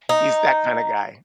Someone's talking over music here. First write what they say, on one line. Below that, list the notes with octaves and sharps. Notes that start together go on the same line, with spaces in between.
he's that kinda guy.
D#4